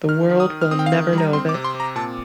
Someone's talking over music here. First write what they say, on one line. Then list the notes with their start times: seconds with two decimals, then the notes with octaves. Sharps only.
The world will never know of it.
0.09 D#3 F6
0.29 D#3
0.40 D#6
0.50 D#3
0.61 F6
0.71 C4 D#6
0.79 G5
0.86 F5
0.92 D#3
1.13 G3
1.18 A#5
1.33 C4 C6
1.49 D6
1.54 C3
1.64 C6
1.74 C4
1.80 A#5
1.95 A#2 A5